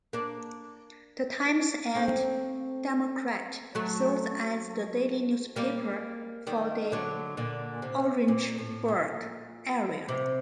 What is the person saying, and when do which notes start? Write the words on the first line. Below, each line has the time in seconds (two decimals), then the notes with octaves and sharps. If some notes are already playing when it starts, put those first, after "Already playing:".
"The Times and Democrat" serves as the daily newspaper for the Orangeburg area.
0.13 A#3 D4
1.95 A3 C4
3.75 F#3 A3
5.56 G3 A#3
6.47 D#3 G3
6.92 D3 F#3
7.37 A#2 D3
7.82 C3
8.28 A#2
8.58 A2
8.88 A#2
10.08 C3